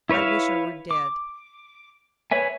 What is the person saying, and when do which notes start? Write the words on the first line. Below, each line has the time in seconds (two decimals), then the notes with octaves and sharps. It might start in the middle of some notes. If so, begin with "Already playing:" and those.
I wish I were dead.
0.09 E4 B4 C#5 E5 F5
0.91 D6
2.31 B4 C#5 E5 G#5